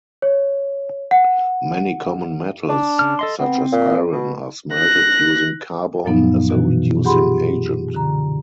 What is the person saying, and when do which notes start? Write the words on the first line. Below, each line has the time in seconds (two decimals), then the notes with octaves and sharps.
Many common metals, such as iron, are smelted using carbon as a reducing agent.
0.22 C#5
1.11 F#5
2.70 D4
2.99 C#3 F6
3.19 A4 D#5 C6
3.40 B3 C4
3.72 A#2
4.13 B2
4.74 F#6 A#6
6.05 F#2 A#2 F3 F#3 B3 D#4
6.50 B2 E3 F#4
7.04 F4 G4 G#4 F#5 B5 C6
7.95 D3 A#5